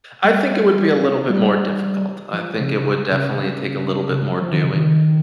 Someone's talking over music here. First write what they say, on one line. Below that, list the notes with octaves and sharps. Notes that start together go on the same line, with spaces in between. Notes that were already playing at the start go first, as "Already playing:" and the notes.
I think it would be a little bit more difficult; I think it would definitely take a little bit more doing.
G3
G3
F3
C#3
C#3
C#3
F3
D#3
C#3
D#3